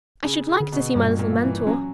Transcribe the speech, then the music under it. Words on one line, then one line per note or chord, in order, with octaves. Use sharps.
I should like to see my little mentor.
C#3 C#4
C#3
D3
B2
G2 A#2
A#2
A#3
E3
F#3 C#4